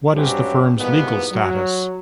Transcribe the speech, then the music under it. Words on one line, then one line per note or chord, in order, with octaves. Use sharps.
What is the firm's legal status?
G2 F#3 G#3 C4 C#4 G4
G#2 B2 E3 G3 A#3 B3
F#3